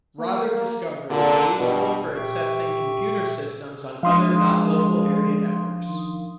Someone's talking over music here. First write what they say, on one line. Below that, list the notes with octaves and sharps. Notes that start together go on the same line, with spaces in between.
Router discovery is useful for accessing computer systems on other nonlocal area networks.
A#3
A#2 D3
G2 B2
A#2 G4 A4 E5 G5 C#6
A4
F3 G#3 D4 F5 C6 D#6
D#3